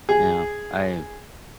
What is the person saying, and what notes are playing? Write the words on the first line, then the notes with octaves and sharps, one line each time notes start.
Yeah. I
G#4